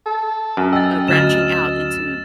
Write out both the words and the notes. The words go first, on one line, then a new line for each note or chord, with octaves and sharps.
uh, branching out into
A4
F#2
D#5 G5 E6 A6
D2 F6 A6 E7